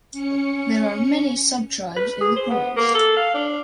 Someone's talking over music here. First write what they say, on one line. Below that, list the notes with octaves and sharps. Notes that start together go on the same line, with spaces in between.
There are many sub-tribes in the province.
C#4 C#7
B4
G#4
C5
B3
A#3
A4
F5
D4